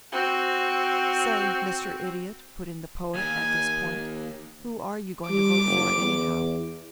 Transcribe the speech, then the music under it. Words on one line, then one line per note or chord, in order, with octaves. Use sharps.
"Say, Mr. Idiot," put in the Poet, at this point, "who are you going to vote for, anyhow?"
C4 F#4
D#2 G#5
G3 D6
F#1
E2